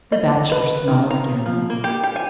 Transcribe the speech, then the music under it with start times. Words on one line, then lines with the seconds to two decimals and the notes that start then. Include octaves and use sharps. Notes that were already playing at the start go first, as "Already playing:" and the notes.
The Bachelor smiled again.
0.12 D#5
0.52 B4
0.88 D#3
1.11 A#5
1.46 F3
1.70 A#3
1.84 G4
2.04 G4
2.16 G#5